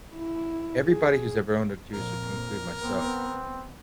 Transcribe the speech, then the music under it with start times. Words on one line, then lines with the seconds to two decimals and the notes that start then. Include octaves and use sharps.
everybody who's ever owned a juicer, to include myself,
0.16 E4
0.86 G#4
1.94 F2 A#2 A#4
2.82 B3 C4